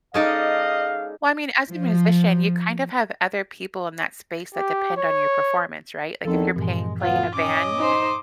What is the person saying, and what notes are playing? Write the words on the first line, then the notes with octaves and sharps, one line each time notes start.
Well, I mean, as a musician, you kind of have other people in that space that depend on your performance, right? Like, if you're paying playing in a band
G#3 C#4 D#4 A4 D5 D#5 F5
F3
G4
C#5
E2 D#3 F3 C4 A4
G2 A#2 E3 G#3
D2 B3 F4 F5
C#4 D#5 D6
D#4 C5